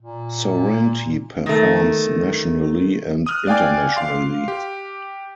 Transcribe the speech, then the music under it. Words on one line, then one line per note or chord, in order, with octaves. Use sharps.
Sorrenti performs nationally and internationally.
A#2
D#3 A3
D#6 F6 F#6
D5 F5 G5 G#5 D6
F5 C6 D6
G4